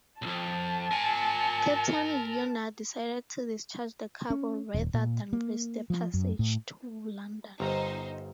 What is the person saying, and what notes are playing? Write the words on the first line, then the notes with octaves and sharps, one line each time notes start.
Captain Leonard decided to discharge the cargo rather than risk the passage to London.
B1 F2 A5
A#4 G#5
C#4
D#1
A#2
A#3
F3
F#2
A2
G1 D#4 C5 A#5